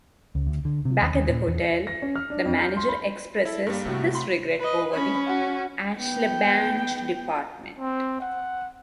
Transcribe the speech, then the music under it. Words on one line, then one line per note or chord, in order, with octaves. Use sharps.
Back at the hotel, the Manager expresses his regret over Aschenbach's departure.
C#2
D2
D3
C3
D#2
D#2
A#2
E2
A#6
C#4
F6
D4
F2
G6
C6
B5
E4 A4
G2 G3 A#3
A2 C3 F#3 F#4
B5 C6
B4 D#5
C#4 B5
F#4
B3 G5
C4
F#5